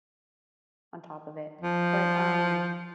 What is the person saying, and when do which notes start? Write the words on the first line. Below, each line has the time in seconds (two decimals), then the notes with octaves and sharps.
on top of it. But, um,
1.61 F3